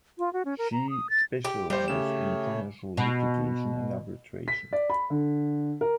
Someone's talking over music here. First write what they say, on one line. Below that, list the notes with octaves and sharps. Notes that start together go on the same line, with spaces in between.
She specialize in commercial litigation and arbitration.
F4
F#4
C#4
A#4
A#5
D#6
A6
G4
G3 G4 C5
C#3 A3 C#5 E7
B2
B6
D5
B5
D3
A#4